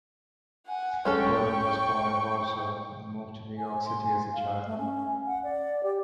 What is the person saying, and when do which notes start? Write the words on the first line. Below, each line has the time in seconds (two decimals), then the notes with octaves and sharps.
Gordon was born in Warsaw and moved to New York City as a child.
0.66 F#5 G#5
1.05 G#3 C#4 A4 G5 C#6
3.58 G#5
3.85 C6
4.03 G#5
4.33 F5
4.66 A3
4.78 C#4
5.26 F#5
5.43 D5
5.83 G4